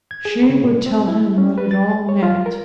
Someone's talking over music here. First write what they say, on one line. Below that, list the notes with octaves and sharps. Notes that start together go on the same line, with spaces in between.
She would tell him what it all meant.
G#6
G#4
C#3
A#2
C4
E4
C#4
B4
A6
C#5
F4
A#4